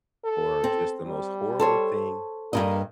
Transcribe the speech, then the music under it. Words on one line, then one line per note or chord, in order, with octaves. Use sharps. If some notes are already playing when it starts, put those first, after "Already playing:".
or just the most horrible thing
A4
C4
G3
A4 C5 C#5
G2 C#3 A#3 D#5